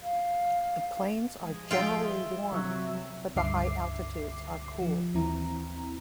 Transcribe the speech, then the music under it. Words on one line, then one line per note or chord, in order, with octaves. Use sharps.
The plains are generally warm but the higher altitudes are cool.
F5
F3 G#3 G#4
F4 E5 G5
C3 F#3
C#2 G2 D3 E5 D6 C7
F3
D#2 E3 C4 E4 A#5